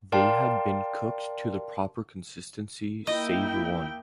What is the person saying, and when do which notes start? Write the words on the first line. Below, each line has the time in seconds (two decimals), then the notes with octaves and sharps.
They had been cooked to the proper consistency save one.
0.12 A#4 D5 F5 G5 A5 C6
3.07 A#3 E4 D#5 G5